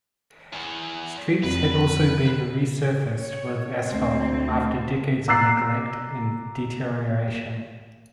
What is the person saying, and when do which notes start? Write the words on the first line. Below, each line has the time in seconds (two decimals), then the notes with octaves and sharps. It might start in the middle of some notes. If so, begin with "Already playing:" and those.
Streets had also been resurfaced with asphalt after decades of neglect and deterioration.
0.53 E2
1.43 F1 B4
3.15 C#5
3.89 D2 C4
5.28 A#5 D6 E6 F#6 A6 C7